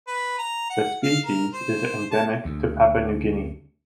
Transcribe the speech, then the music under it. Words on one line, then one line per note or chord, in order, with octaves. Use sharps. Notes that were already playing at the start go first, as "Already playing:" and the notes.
The species is endemic to Papua New Guinea.
B4
A#5
F#5
F5
A#4
C5
A5
D2